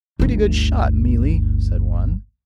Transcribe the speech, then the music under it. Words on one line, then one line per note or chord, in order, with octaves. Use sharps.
"A pretty good shot, Mealy!" said one.
G1 D2